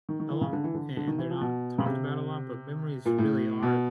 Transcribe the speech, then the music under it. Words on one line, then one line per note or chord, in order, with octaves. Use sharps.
a lot, and, they're not talked about a lot, but memories really are th
D#3
D#3
E3
C#3
D3
E3
D3
D3
D#3
E3
F3
B2
C#3
C3
A#2
A2
B2